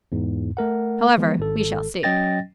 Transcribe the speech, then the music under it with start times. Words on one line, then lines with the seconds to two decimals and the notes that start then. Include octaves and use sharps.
However, we shall see.'
0.12 E2 G#2
0.57 A3 A#4 F#5
1.18 E3 F3 G#3 B3
1.39 G#1 A4
2.03 F#3 C#4 D#5 G5 A6 A#6